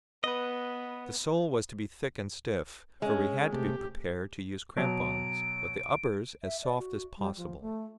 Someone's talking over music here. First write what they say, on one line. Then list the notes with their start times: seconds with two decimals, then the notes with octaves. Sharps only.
The sole was to be thick and stiff -- for we had to be prepared to use crampons -- but the uppers as soft as possible.
0.24 B3 B4 D#5
3.02 G#3 C#4
3.53 C3 A3 G4
4.77 B2 F#3 D7
6.43 E5
6.63 D5
6.78 F#4
7.18 G3
7.37 F3
7.61 A3